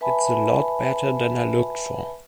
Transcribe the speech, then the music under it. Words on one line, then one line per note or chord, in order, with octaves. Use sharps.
It's a lot better than I looked for.
B4 E5 G#5 A5 B5